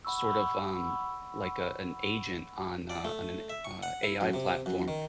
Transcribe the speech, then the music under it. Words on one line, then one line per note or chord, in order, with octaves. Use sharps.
sort of, um, like a an agent on, uh on an, uh, AI platform
F#5 B5 C#6 E6
D5
A3
E5
C#6
F#5
E4
F#2
C3
F#2
D#3